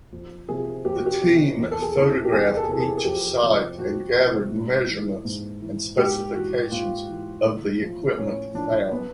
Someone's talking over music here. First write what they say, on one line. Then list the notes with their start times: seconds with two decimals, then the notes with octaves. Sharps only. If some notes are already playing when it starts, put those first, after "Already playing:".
The team photographed each site and gathered measurements and specifications of the equipment found.
0.13 F2
0.49 C3 F3 G#4
0.85 F2 G4
0.95 F#4
1.06 G4
1.22 C3 F3
1.59 E2
1.71 A4
1.82 G#4
1.95 C3 E3 A4
2.25 G4
2.32 E2 G#4
2.57 A4
2.64 G#4
2.68 C3 E3 A4
2.80 G#4
2.97 G#4
3.05 F2 G4
3.42 C3 F3
3.78 F2 F#4
4.15 C3 F3
4.52 G#2
4.88 E3
5.25 G#2
5.61 E3
5.98 G#2 G4
6.34 E3 F#4
6.71 G#2 F4
7.08 E3
7.45 A2
7.81 F3
8.17 A2 C#4
8.54 F3 D4
8.91 B3